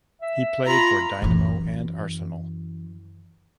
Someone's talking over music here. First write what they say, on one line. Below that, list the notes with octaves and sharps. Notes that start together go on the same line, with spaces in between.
He played for Dynamo and Arsenal.
E5
F4 A#5 B5
F#2 E3